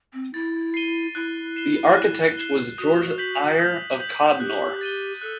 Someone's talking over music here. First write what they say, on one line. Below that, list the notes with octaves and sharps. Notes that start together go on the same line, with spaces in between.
The architect was George Eyre of Codnor.
C4
E4 A6
C7 D#7 G7
E4 F#6
C7 E7 G7
F#6
C7 E7 G7
F#4 D#6
G6 B6 F#7
D#6
G6 B6 F#7
G4 F#6
A6 D#7 G7
A4 F#6